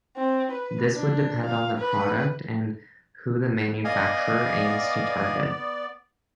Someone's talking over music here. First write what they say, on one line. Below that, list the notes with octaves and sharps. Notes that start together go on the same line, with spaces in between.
This would depend on the product and who the manufacturer aims to target.
C4
B4
D4
F5
B4
B3 D5 D#5 F5 G#5